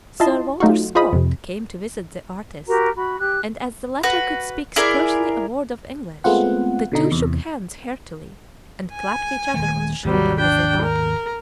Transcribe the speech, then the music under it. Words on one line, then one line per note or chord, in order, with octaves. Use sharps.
Sir Walter Scott came to visit the artist, and as the latter could speak scarcely a word of English, the two shook hands heartily, and clapped each other on the shoulder as they parted.
E4 F4 D#5 A5 C6
F#3 A3 D#4 F4 F#4
F4 G#4 C5 D#5 B5 D#6
F2 C3
F#4 G4 A#4 A#5
F#4 B5
G4 F#6
F#4 B4
E4 G#4 A#4 D5
G#3 A3 B3 C4 F4 F#5
B2 D3 D#4
E2 C3
G#5
D#1 D#3 A3
G#1 D#2 C3 F#3 G3
D4 G5
A#4